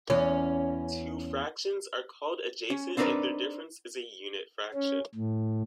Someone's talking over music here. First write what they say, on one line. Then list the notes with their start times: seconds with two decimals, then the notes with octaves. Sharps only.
Two fractions are called adjacent if their difference is a unit fraction.
0.10 E2 C#4
2.70 C#4
2.97 C4 D4 D#4 A#4 B4 D5
4.74 C#4
5.15 A2